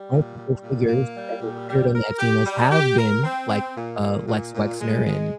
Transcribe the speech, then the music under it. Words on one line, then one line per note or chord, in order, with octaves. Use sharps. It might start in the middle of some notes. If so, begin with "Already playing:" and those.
multiple figures that have appeared on the Epstein list have been like, uh, Lex Wexner and,
Already playing: G3
A#2
G3
A#2
A#3
G3
A#2
G3
A#4
G4
G3
G4
A#4
C4
C4
A#2
A#2
A#2
A#2
G#3
G#3